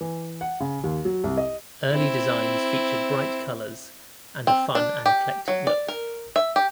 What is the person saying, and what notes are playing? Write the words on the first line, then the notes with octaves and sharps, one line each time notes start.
Early designs featured bright colors and a fun and eclectic look.
E3
F#5
C#3
D#2
F#3
C2
D#5
C4 E4
C4
D4
G4
F#3
D5
A#4
E5
G4